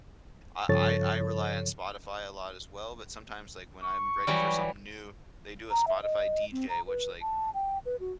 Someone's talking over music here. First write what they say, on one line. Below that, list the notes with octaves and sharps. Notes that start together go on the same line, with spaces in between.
I I I rely on Spotify a lot as well, but sometimes, like, when I'm ready for something new, they do a Spotify DJ, which, like,
G2 C#3 F3 A4 C#5 A6
C#6
E3 F#3 G3
A#5
E5
D#5
C4
A#5
B4
A5
G5
B4
F#4